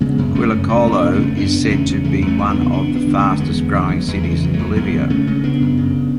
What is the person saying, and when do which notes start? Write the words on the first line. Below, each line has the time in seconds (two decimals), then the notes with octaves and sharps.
Quillacollo is said to be one of the fastest growing cities in Bolivia.
0.01 C#3 G#3 B3
0.18 F#2
0.35 F#2 A3 C#4
0.52 C#3
0.69 F#2 A3 C#4
0.86 F#2
0.92 B3 D4
1.02 C#3
1.14 A3 C#4
1.20 F#2
1.36 E2 B3 D4
1.54 C#3
1.70 E2 A3 C#4
1.88 C#3
2.04 E2 A3 C#4
2.22 E2
2.27 A3 C#4
2.38 E2
2.50 B3 D4
2.55 C#3
2.62 C#4
2.72 E2 B3 D4
2.90 E2
2.95 B3 D4
3.07 D3
3.17 A3 C#4
3.24 D3
3.31 A3
3.40 E2 G#3 B3
3.57 D3
3.74 E2 D3
3.88 E2 E3
3.97 F#3
4.08 E2 E3 G#3
4.23 C#3 A3
4.30 E3 G#3
4.42 E2
4.53 F#3 A3
4.59 E2
4.76 E2 G#3 B3
4.94 C#3
5.10 C#3 A3 C#4
5.27 C#3
5.44 C#3 B3 D4
5.61 F#2
5.77 C#3